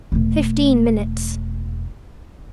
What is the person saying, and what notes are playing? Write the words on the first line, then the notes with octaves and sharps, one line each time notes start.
Fifteen minutes.
E1 A3